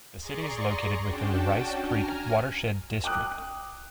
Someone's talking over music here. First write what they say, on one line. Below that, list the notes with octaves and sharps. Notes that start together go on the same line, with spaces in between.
The City is located within the Rice Creek Watershed District.
G#4 D5 A#5 C6 C#6
C#4 D4 F#4 G5 A5
G#5 A#5 F6
G5 D6 D#6 F#6